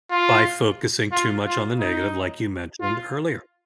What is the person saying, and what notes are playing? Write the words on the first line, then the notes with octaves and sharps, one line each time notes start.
By focusing too much on the negative, like you mentioned earlier.
F4
F4
F4
D#4
F4